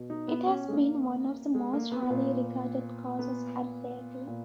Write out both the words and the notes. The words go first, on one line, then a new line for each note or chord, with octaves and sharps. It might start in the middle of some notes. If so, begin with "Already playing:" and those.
It has been one of the most highly regarded courses at Berkeley.
Already playing: B2
D#4
B3
C#4
G#3
A#3
G#3
A#3
B3
A#2
B3
A#2